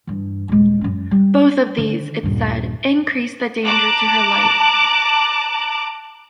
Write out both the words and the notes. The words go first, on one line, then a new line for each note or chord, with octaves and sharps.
Both of these, it said, increased the danger to her life.
G2 E3
D#1 G#3
F#2 C#4
G3
D3 D#3
D#1 G2
A5 A#5 D6 F#6